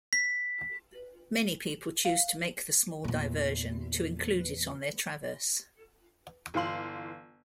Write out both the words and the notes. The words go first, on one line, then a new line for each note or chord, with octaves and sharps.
Many people choose to make the small diversion to include it on their traverse.
B6
F5
E2 A#2
G1 E3 F4 F5 C6 F#7